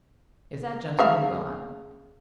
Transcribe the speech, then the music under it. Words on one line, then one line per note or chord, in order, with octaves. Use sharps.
Is that gentleman gone?
C#3 E5 F5